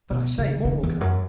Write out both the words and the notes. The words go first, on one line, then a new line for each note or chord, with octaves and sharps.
But I say, more will come!
B2
C#3
D3
E2
F#2